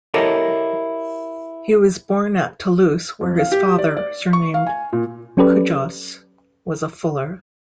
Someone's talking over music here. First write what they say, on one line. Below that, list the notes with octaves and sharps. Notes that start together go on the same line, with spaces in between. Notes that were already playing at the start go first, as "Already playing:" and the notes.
He was born at Toulouse, where his father, surnamed Cujaus, was a fuller.
E4 G4 A4 A#4 C#5 D#5
F2
F5
G4
D5
D5
C#6
F5
G#5
A#2
F#3 C#4 G4 A4 B4 D5